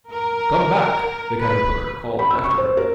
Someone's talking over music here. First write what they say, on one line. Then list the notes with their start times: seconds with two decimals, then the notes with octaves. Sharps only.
'Come back!' the Caterpillar called after her.
0.10 A#4
1.39 B4
2.19 B5
2.31 E6
2.44 C#6
2.58 C5
2.77 A#4